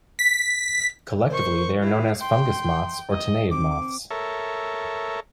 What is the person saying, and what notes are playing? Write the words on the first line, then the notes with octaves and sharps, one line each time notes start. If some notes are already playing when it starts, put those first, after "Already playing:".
Collectively, they are known as fungus moths or tineid moths.
B6
A#4 C5 C#6
E4 F5
G5 C6
D#5
C4 D6
A4 A#4 C#5 E5